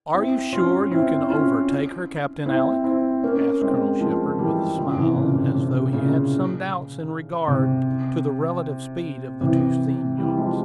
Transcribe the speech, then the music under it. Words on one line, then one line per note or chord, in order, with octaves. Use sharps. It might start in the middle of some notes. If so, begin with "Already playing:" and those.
"Are you sure you can overtake her, Captain Alick?" asked Colonel Shepard, with a smile, as though he had some doubts in regard to the relative speed of the two steam-yachts.
C4 E4
C#4 F4
C4 E4
C#4 F4
C4 E4
C4 E4
A#3 C#4
G#3 C4
F3 G#3
E3 G3
C#3 F3
C3 E3
A#2 C#3
C3
C3
A#2 C#3
C3
C3 E3
E3 G3
F3 G#3